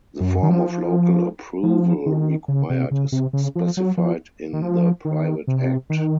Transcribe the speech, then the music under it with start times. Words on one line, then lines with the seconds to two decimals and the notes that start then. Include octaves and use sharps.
The form of local approval required is specified in the private act.
0.20 F#2
0.43 D#3
0.49 F3
1.63 F3
2.06 D#3
2.48 C#3
2.70 C3
2.91 C#3
3.12 C3
3.33 C#3
3.55 F3
3.77 F#3
3.98 F3
4.53 D#3
4.62 F3
5.05 D#3
5.48 C3
5.90 D#3